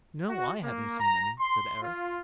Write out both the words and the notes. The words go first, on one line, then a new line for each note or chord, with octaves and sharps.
'No, I haven't seen any', said Eric.
F#4
A#3
A#5
C6
F4